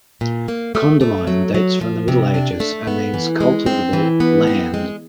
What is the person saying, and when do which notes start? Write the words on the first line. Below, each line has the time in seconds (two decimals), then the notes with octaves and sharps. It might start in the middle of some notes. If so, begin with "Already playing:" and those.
"Condamine" dates from the Middle Ages, and means cultivable land.
0.21 A#2
0.48 A#3
0.75 A3
1.01 A3
1.27 F#3
1.54 F#3
1.81 F3
2.08 C3
2.34 D4
2.60 A3
2.87 B3
3.14 E3
3.41 G#3
3.66 C4
3.93 E3
4.20 B3
4.47 C4
4.74 G#3